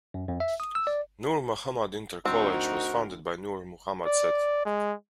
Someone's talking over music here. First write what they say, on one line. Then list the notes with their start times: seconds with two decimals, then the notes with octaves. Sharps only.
Noor Muhammad Inter College was founded by Noor Mohammad Seth.
0.14 F#2
0.28 F2
0.40 E5
0.60 D#6
0.75 E6
0.87 D5
2.25 D2 C4 D#4 F#4 A#4
4.06 D5
4.66 G#3